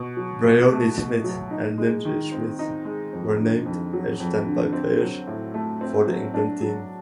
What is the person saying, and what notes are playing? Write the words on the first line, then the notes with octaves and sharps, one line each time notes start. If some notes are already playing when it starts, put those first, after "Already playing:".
Bryony Smith and Linsey Smith were named as standby players for the England team.
Already playing: B2
F#3
B2
A3
B2
F#3
D#4
G#3
D#3
C4
D#4
G#3
F2
D3
F2
F#3
F2
D3
C4
F#3
A2
A3
C4
F#3
D4
F#3